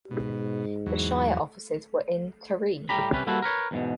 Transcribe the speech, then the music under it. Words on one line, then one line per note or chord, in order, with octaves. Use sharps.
The shire offices were in Taree.
G#2 B2
E2 F#3
A2 G3 G4 A#5 B5
C3 G3 C#4 B4
G3 A#3 E4 F#4 A4 B4
A#4 B4 C#5
E2 G#2 B2